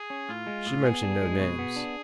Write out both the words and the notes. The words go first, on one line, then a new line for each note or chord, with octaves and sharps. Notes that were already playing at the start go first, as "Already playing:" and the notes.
"She mentioned no names."
Already playing: G#4
C#4
A2 F4
G#3
A2
B3 G#4
D4
G#3
B2
B3
D4